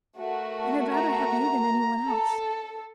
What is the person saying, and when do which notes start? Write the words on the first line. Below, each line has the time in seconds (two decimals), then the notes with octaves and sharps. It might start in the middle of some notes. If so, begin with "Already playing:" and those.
And I'd rather have you than any one else.
0.19 A3 F#4 A#4
0.93 A#5
2.06 A4